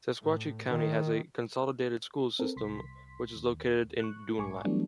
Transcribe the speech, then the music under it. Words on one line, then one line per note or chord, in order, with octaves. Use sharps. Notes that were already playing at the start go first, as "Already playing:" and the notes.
Sequatchie County has a consolidated school system which is located in Dunlap.
A2
D#3
C4 A4 A#4
C2 C6 B6
D#2
C#6 F#6
A#1 G#2 G#5 C#6 D6
E3 F#3 G3 A3 B3 D4